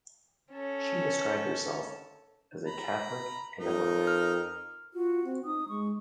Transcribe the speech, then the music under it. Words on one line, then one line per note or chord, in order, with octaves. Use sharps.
She describes herself "As a Catholic and a mother".
C#4 A4
A#5 B5
F2 D#4 A#4
F6
F4 F#4
C4
D#4 D#6
G#3 C#6